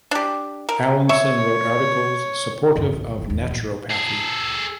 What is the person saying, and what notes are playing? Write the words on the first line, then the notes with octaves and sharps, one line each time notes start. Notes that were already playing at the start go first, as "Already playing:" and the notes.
Allinson wrote articles supportive of naturopathy.
D4 G4
A#4
C#5 E5 C#6
G1 F2
C2
E3
F#1 D#3
E2
A1 B2
G#4 A4